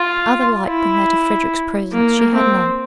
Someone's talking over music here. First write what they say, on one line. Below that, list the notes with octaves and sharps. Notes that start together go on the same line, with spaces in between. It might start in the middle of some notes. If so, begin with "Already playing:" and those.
Other light than that of Frederick's presence she had none.
Already playing: F4
E4
A#3
C4